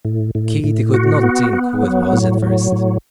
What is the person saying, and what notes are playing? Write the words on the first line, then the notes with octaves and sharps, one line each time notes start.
Katy could not think who it was, at first.
A2
A2
A2
F#4
B3
B3
F#3
A2
F#3
A2